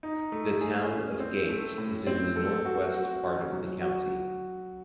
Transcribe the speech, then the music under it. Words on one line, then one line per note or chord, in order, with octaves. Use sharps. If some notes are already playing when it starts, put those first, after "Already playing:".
The Town of Gates is in the Northwest part of the county.
D#4
A3
G#4
C#4
C4
A3
A2
C4
A4
F#4
F#4
C#4
F#3
F#4